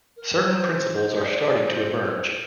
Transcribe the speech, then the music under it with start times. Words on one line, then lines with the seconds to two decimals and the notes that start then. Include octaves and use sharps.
Certain principles are starting to emerge.
0.17 A#4
0.44 C5
1.23 D5
1.64 D5
1.68 C5
2.04 C5
2.08 A#4
2.31 C5